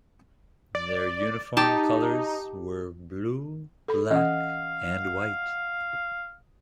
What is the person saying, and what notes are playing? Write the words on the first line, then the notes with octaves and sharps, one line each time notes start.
Their uniform colors were blue, black and white.
D5
D#4 G4 A5
A4 B5
E3 C#4 D#5 F5 F#5